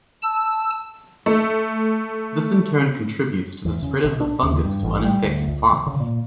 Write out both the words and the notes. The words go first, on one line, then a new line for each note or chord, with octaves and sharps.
This in turn contributes to the spread of the fungus to uninfected plants.
A5 E6
A3
E2
C#3
B1
D4
D#2
G2
A1
G3
D2
C#2
C#3
A#2